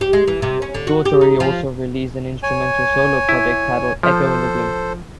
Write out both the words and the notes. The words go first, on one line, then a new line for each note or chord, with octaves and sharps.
Daugherty also released an instrumental solo project titled "Echo in Blue".
G4
G#3
E3
C3
C#4
D3
F#4
G4
D#4
F3
C#5 G#5
E4
F3 A4 C5